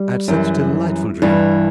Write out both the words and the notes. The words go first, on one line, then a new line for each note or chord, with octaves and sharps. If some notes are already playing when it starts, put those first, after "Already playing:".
I had such a delightful dream.
Already playing: G3
F#2 E3
G2 E3